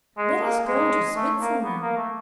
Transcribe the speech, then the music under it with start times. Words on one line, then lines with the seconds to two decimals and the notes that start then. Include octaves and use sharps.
Let us go to Switzerland!
0.17 G#3
0.42 A#3
0.66 G#3
1.15 A3
1.40 A#3
1.64 B3
1.81 A#3
1.97 A3